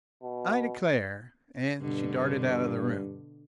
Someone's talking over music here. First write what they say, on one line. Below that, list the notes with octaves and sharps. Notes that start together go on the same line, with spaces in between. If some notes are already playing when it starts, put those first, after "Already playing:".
"I declare!" and she darted out of the room.
B2
G2 B2 D3